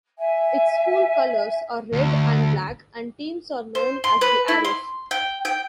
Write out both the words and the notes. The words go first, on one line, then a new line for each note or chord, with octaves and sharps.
Its school colors are red and black, and teams are known as the Arrows.
E5 G#5
D2
C5
C6
B4
E4
C6
G5
G5